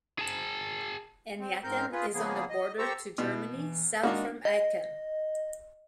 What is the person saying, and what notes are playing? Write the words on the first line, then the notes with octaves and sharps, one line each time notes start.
Eynatten is on the border to Germany, south from Aachen.
G#4 A5
C4
G#2 C4 A#4 G6
F4 G#4 B4
C#3 F3 A#3 B3 G#4
D#5
G4 A4 C5 A#5 C#6 E6
B2 E4
E3
G#3 A#3 D4 D#4 F#4
D#5